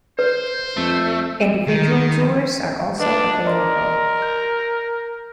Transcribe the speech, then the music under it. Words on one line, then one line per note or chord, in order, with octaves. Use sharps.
Individual tours are also available.
B4 C5
F2 A3
D#3
D4 B4 D#5
A#4 D5 D#5 C6
G6